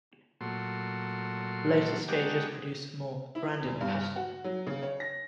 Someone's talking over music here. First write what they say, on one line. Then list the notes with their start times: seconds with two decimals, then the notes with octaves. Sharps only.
Later stages produce a more random pattern.
0.41 A#2 F#3 A3 C6
2.08 G#3 D4 D#4 F#4 G4
3.35 E4
3.62 E2
3.81 G2
4.16 F#4
4.44 F#3
4.67 C#3
4.83 C#5
5.00 A#6